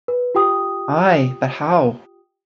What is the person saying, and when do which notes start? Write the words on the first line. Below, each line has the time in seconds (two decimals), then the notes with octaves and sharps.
Ay, but how?
0.08 B4
0.35 F4 G4 G5 D#6